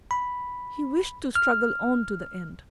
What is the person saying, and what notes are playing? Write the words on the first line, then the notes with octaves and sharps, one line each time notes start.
He wished to struggle on to the end.
B5
F6